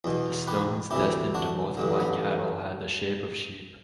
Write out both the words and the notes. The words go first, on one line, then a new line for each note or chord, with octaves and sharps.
The stones destined to multiply cattle had the shape of sheep.
E2 B2
G4 B4
D2 C3 E3 E4 G4
D4 F#4
A1 G2 D3
B3